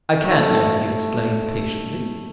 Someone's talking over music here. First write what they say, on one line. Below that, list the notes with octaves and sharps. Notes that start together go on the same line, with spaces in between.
"I can't yet," he explained, patiently.
A3 D#5